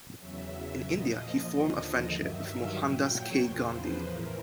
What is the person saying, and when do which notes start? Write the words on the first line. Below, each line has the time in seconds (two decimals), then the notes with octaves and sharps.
In India he formed a friendship with Mohandas K. Gandhi.
0.18 E2 C#3 F#3 E5
0.50 E5
0.82 A#2 F3 D#5
1.15 D#5
1.46 D#2 D3 F3 D#5
2.11 G2 D#3 F#3 E5
2.43 F5
2.74 A#2 F#3 G5
3.07 C#5
3.39 E2 C#3 F3 C5
3.71 B4
4.03 A2 E3 A#4